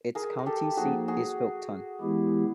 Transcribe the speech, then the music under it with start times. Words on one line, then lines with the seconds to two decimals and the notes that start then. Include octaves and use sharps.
Its county seat is Faulkton.
0.15 G#4 A#4
0.39 A#4
0.46 G4 A4
0.77 F3 A#3 D#4 F#4 G#4
1.08 F#4 G#4
2.01 E3 G#3 B3 E4 G4